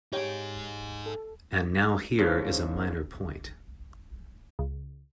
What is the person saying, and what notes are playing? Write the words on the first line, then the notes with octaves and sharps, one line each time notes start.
And now here is a minor point.
D#4 G4 G#4 C#5 G5
A4
E2 G#2 C#3 F3
C#2